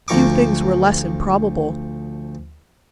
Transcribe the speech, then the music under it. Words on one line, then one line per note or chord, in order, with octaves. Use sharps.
Few things were less improbable.
D2 F3 A#5 C#6 D6